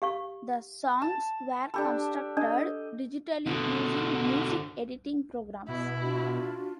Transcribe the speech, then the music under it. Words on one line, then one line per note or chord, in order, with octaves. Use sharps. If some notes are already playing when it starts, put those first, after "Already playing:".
The songs were constructed digitally using music editing programs.
G4 F5 C#6
A5
D4 G4 A4 B5
D4 D5 D#5
B2 D3
B2 E4
D4 F4 F#4